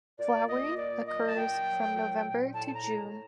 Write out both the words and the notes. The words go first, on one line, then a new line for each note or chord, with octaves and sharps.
Flowering occurs from November to June.
A#2 D5
A#3 D#5
A#2 D5
F#3 D#5
A5
A#2 G5
F#3
A#2
A#2
A2 A5
A5
A#5
A2